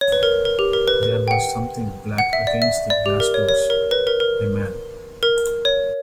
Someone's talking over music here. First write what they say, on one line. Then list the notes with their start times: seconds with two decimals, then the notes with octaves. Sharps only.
There was something black against the glass doors — a man.
0.01 C#5
0.12 B4
0.23 A#4
0.45 A#4
0.59 G4
0.73 A#4
0.88 B4
1.03 B4
1.28 G5
1.31 F#5
2.18 F#5
2.33 E5
2.47 D5
2.62 E5
2.90 D5
3.06 G4
3.20 A#4
3.34 C#5
3.49 C#5
3.70 A#4
3.91 B4
4.07 A#4
4.20 A#4
5.23 A#4
5.65 C#5